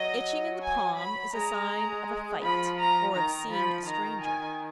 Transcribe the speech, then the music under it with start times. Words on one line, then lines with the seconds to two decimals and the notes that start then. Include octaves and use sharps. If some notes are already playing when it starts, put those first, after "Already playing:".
Itching in the palm is a sign of a fight, or of seeing a stranger.
Already playing: F#3 D#5
0.62 G#5
0.99 B5
1.34 G#3 A#5
2.42 F3 B5
2.78 A#5
3.14 D#3 A#5
3.50 F3 B5
3.86 D#3 A#5
4.22 G#5